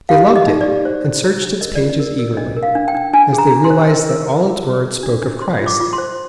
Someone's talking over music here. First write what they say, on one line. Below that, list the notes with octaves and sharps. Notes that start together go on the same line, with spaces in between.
They loved it and searched its pages eagerly, as they realized that all its words spoke of Christ!
G4 F5
G4
D#5
D#4
D5
G4
C5
C5
G#4
D4
A#4 D#5
D5
F4
D#5
A#4
A#4
D4 D#5
A#4
F5
D4
G5
D4
D4 G#5
G#4
A#5
D4
C6
C5
A#4
A#4
A#4
F4
G#4
G#4
D4
D4
C5 C6
F4
D6
F4
C6
C5